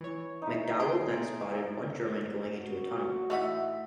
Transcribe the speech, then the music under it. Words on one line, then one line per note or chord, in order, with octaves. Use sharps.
MacDowell then spotted one German going into a tunnel.
E3 C#5
D#4 E4
G#4 C6 D7
F#4
A1 A3 D#4 E5 F#5 B5